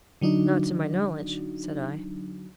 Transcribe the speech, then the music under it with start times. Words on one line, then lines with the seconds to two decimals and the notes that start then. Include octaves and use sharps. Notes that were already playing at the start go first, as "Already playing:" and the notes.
"Not to my knowledge!" said I.
0.21 D3 F#3 D4 D#4 F#4